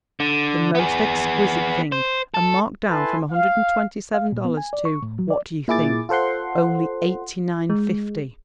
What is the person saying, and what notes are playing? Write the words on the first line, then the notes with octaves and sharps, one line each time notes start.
The most exquisite thing, and marked down from a hundred and twenty-seven dollars to--what do you think?--only eighty-nine, fifty!
D3
B3 G#4
C5
A4
E4 A4 B4 G#5 A5 C6
F5
F5
A#2
B3
G#5
D5
C#6
A2
F#3
D5
A#2 E4 G#4 D6 A6
F4 A4 C5 F#5 C6
G#3